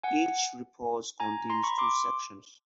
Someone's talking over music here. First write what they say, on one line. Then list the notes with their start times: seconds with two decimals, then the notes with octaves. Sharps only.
Each report contains two sections.
0.03 F#5 G#5
1.20 G#5 A#5
1.50 A#5 C6
1.63 B5 C#6
1.78 C6 D6